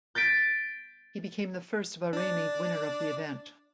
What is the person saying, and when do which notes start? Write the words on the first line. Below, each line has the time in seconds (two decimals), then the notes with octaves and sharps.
He became the first Bahraini winner of the event.
0.15 G6 A6 B6 D7
2.13 D4 D5